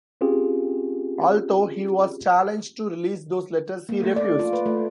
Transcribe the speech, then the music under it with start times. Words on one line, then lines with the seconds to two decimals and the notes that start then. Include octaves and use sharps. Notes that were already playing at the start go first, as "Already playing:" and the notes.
Although he was challenged to release those letters he refused.
0.21 C4 C#4 F4 G4 G#4
3.89 A#3
4.03 A3
4.16 D5
4.39 F4
4.53 B4
4.66 A3